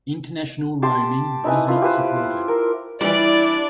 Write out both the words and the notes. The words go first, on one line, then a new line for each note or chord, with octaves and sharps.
International roaming was not supported.
G4 A5 C6
D#4 E4 B4 G#5
E4 F4 B4
G4 B4 C5
C5
A#4
E3 G3 D4 E4 D5